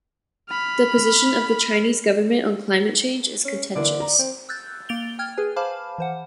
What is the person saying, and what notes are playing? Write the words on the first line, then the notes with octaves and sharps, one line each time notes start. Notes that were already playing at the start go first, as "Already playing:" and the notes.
The position of the Chinese government on climate change is contentious.
B5 F6
C#4
D3 E3 A#3 D5
A#5
C4
E6 F#6 G6 A6
A#3 A6 D7 F7 G7
G5 F6 G#6
G#4 B4 G#5
C5 F5 A5 B5 D6 F6
E3 C5 F#5